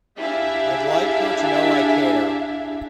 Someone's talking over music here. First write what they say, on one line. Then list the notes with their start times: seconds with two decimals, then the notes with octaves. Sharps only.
I'd like her to know I care.
0.19 D4 E4 G4 G#4 E5 F5